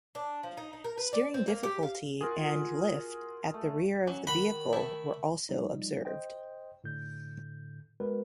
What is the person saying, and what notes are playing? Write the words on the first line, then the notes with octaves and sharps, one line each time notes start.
Steering difficulty and lift at the rear of the vehicle were also observed.
D4
F3
D#4
D#4
A#4
B4
D5
C4
A#3
G4
F5
F4 F#4 G#4 A#4
A3
F#3 C#4
D#3 F#4 B5
A3 E4
F3 G3 D#4
C5 D#5 G5
A2 D3 G6
G#3 B3 F#4 A#4 B4